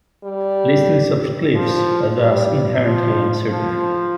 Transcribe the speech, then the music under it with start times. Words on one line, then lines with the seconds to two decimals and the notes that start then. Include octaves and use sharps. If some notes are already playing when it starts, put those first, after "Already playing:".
Listings of cliffs are thus inherently uncertain.
0.24 G3
1.55 F3
2.20 G3
2.85 F3
3.50 F3